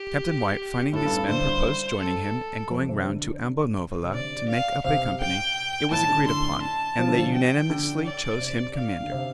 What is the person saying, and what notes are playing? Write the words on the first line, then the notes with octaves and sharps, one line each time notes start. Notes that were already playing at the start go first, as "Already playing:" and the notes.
Captain White, finding these men proposed joining him, and going round to Ambonavoula, to make up a company, it was agreed upon, and they unanimously chose him commander.
Already playing: G4
A2 A4
G2
G2
D3 C5
A4
F2
C3
D3
C3
D3 D5
F5
C3 F5
G5
A2 A5
D3
D3 C6
A5
F3
D3
F3
G5
D3
D5
C3
F5
D3
C3